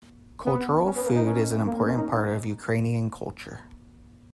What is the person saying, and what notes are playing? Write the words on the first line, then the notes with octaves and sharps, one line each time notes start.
Cultural food is an important part of Ukrainian culture.
B3
C#4
B3
A#3
D#4
C#4
A#3
A#3
C#4
D#4